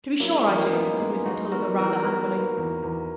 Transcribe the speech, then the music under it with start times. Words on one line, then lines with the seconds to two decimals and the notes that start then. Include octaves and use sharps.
"To be sure I do," said Mr. Tulliver, rather angrily.
0.20 F#3 A#3 E4
0.33 G#3
0.47 E3 F#3 A#3
0.61 A#3 C#4
0.73 B3 D#4 E4
1.00 G#3
1.25 G#3 D#4 F#4
1.52 B3 F#4 A#4
1.78 E3 F#4 A#4
2.04 B3
2.31 A#3
2.57 E2
2.83 E2